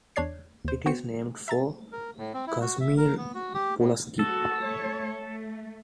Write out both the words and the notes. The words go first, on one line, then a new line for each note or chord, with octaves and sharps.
It is named for Casimir Pulaski.
E2 D4 C#5 D5 G#6 C7
D#2 C5
B3 F#4 C5 G5 C#7
E5 A#5 A6
A#4
A2
C4
E4
F#4
E5
A#4
B3
F#4
G4
A2
F#4 A4
A3 C#5
A3